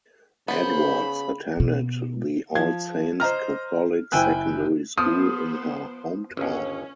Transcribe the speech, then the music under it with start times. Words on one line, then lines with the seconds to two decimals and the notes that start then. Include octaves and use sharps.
Edwards attended the All Saints Catholic Secondary School in her hometown.
0.48 C#3 B3 A#4 C5 B5
1.60 B2
2.55 F3 G#6
3.20 C5 D#5 A#5 F6
4.12 F#1 E4 G5 G#5 E6 F#6
4.98 F3 B3 C5 D#6
6.37 G1 D#2 C#4